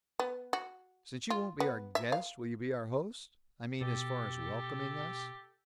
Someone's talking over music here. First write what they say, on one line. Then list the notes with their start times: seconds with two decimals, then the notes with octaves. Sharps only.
Since you won't be our guest, will you be our host--I mean, as far as welcoming us?
0.19 B3
0.53 F#4
1.30 F4
1.60 B3
1.95 E5
2.12 F5
3.81 B2 G4 A4